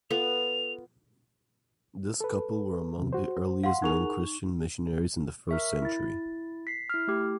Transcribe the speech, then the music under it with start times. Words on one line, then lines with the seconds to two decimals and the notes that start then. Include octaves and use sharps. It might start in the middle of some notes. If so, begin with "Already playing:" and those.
This couple were among the earliest known Christian missionaries in the first century.
0.10 B3 F4 A4 F7
2.21 A4 B4
2.98 D#2 C3
3.13 F#4 C5
3.64 F5 F#5 C6
3.82 D#4 G#4 A#4 F#5 C#6 F7
5.49 A#4 E5 C#6
5.82 E4 A6
6.67 B6 C7
6.89 E4 F6
7.07 A3 G4